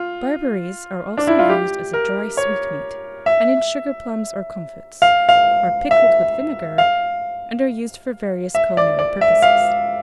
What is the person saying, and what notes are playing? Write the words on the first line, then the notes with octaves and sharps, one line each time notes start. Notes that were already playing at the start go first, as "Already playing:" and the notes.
Barberries are also used as a dry sweetmeat, and in sugarplums or comfits; are pickled with vinegar, and are used for various culinary purposes.
Already playing: F4
D4
E4
F4
G4
A#4
C#5
E5
F5
F5
E5
F5
E5
D5
D5
E5
F5